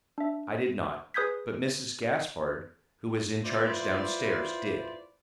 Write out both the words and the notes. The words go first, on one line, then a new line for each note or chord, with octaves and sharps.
"I did not, but Mrs. Gaspard, who was in charge downstairs, did."
D4 E5
G#4 B4 D#6 G6 G#6 B6
E4 F4 B4 C5 D5